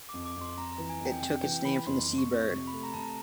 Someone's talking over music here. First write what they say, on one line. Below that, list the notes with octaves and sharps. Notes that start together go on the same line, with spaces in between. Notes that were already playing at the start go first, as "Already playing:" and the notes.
It took its name from the sea bird.
F2 D6
D6
F2 C6
F2 A#5
A#5
E3
G#5
F2
G5
C3 G5
E3 G5
E3 B5
F2 C6
F2
C#6
F2
C3 C#6
A3 B5
A#5
C3 A5
A#5